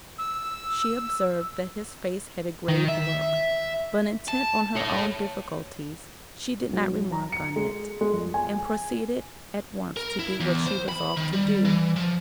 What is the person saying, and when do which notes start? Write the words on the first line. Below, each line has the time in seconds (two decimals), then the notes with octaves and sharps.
She observed that his face had a grave look, but intent on her own difficulties she did not remark on it, and proceeded at once to do what she resolved to do.
0.18 E6
2.68 D#3
2.88 E5
4.28 A5
4.76 A4 C#5
6.73 B1
7.12 A#5
7.32 C#7
7.56 G#3
8.01 G#3
8.13 F2
8.34 G#5
9.97 A#4
10.19 E4
10.40 E2
10.66 C5
10.89 B5
11.17 D#3
11.33 G3
11.65 E3
11.96 F3